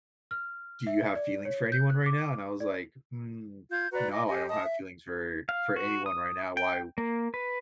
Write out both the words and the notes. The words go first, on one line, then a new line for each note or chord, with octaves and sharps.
"Do you have feelings for anyone right now?" and I was like, "N No, I don't have feelings for for anyone right now, why
F6
E5
D5
C#5
G6
F#6
D6
D5
F4 G6 G#6
F#4 B4 D5 A#5
D#5 D6
G4 D#5 G#5
D#5 A5 D#6
E5
F5
F#4
D#6
G5
A#3
B4